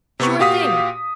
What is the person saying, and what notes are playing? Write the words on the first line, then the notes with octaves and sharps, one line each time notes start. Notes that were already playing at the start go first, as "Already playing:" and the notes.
Sure thing.
C3 B3 C#6
A#2 F#4 G4 F5 D#6 B6